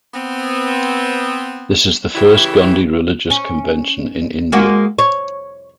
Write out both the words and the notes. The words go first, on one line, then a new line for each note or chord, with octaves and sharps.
This is the first Gondi religious convention in India.
B3 C4
C#3 E3 E4 G4
C#4
G#3 A#3 F#4
C#5